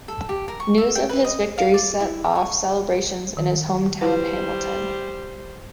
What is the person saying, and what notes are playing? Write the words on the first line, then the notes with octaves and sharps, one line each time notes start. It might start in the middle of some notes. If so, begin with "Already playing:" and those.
News of his victory set off celebrations in his home town Hamilton.
A4
G4
A#4
C#6
E5
G5
B4
D#5
F5
D5
E4
C#6
D#3
G3 E4 B4 C5